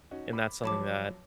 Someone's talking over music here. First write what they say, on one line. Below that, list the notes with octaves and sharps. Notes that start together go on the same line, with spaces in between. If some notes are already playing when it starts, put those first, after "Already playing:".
And that's something that
C#4 D#4 F#4
B5 D6
F3 F#3 C#5 A5 B5 D6